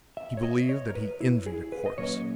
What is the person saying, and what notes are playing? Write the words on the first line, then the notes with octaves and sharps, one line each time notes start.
He believed that he envied a corpse.
E5
C#5
D#5
C#5
A#4
B4
E4
G#4
B4
D#5
A#2 F#3 A#3 C#4 C#5